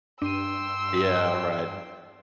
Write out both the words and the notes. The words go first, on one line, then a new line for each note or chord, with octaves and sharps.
Yeah, right.
G2 D4 G5 C6 E6 D#7